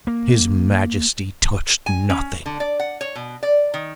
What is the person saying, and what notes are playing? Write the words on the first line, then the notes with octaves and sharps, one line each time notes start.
His Majesty touched nothing.
A#3
G#5
C#4
D3
D5
F#5
C#5
B2
D5
D#3